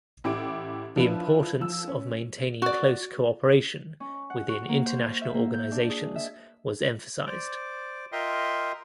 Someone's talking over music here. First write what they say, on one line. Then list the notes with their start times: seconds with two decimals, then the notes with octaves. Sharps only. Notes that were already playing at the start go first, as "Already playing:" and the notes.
The importance of maintaining close cooperation within international organizations was emphasized.
0.24 A1 E4 G4 D6 D7
0.96 F3 D4 E4 B4
1.60 F3 E6
1.88 C#4
2.62 F#4 D5
4.00 C#4
4.30 F#5
4.49 F#4
4.69 A#3
4.86 C5
4.98 F5
5.21 E5
5.34 A#3
5.54 G6
5.72 D4
5.90 G#4
6.16 E5
7.26 C5 D5 D6
8.12 F4 A#4 D#5 E5 G5 C6